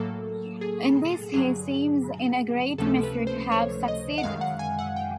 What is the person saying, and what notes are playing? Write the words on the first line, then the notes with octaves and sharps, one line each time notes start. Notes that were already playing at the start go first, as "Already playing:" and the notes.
In this he seems in a great measure to have succeeded.
Already playing: A2 F#3 A#3 A4
G#4
G2 D3 F#3 G#4
C#2 C3 F3 A3 C#4 A4
B4
C5
C#5
D#5
F#5
F#2 D#3 G#3 F5
F#5
G#5
F#5
G5